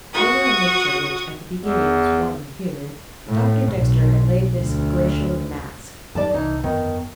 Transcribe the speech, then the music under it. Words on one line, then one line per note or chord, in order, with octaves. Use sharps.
Over a nature which, at the beginning, was warmly human, Doctor Dexter had laid this glacial mask.
F#4 C#6 D#6
E2
A2
B1
D2
F#2 D#3 G3 D5 A5
C2 E3 D#4
G1 F2 D#3 B3